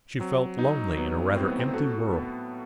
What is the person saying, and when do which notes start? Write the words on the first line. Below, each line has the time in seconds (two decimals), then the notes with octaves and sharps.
She felt lonely in a rather empty world.
0.20 F#3 C4
0.59 D#4
0.97 F#3 B3
1.35 A2 C4
1.47 B3
1.59 C4
1.73 F#4 A4
2.12 B3